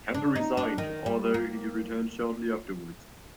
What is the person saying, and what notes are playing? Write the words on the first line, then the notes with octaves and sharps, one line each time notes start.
Kempe resigned, although he returned shortly afterwards.
D4
D#4
D4
D#3
G3
A#3